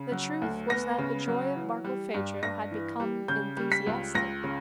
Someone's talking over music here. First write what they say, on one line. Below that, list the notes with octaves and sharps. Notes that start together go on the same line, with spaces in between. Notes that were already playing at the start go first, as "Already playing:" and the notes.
The truth was that the joy of Barkilphedro had become enthusiastic.
Already playing: C#3
F#3
D2
B3 A#6
C#3
F#3
E3
G3
G2
G2 A#6
E3
G3
C#3 G6
G3
B6
C#2
C#2 A#6
C#3